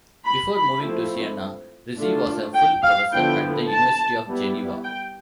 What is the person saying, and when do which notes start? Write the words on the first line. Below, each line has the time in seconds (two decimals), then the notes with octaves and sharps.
Before moving to Siena, Rizzi was a full professor at the University of Geneva.
0.25 B5
0.53 B5
0.82 F3 A3 C4 E4
1.96 D3 A3 D4 F4
2.54 G5
2.83 F5
3.12 D3 F3 B3 E4 G5
3.68 A5
4.27 G3 B3 E4
4.84 G5